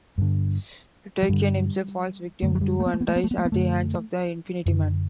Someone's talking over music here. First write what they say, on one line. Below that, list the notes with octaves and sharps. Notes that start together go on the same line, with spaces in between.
Takion himself falls victim to and dies at the hands of the Infinity-Man.
G2 D3
F#3
G2 D3 G3
F#2 D3 A3
F#3
G3
A3
B3
A3
B3
A3
B3
A3
B3
A3
B3
F#2 D3 A3
F#2 D3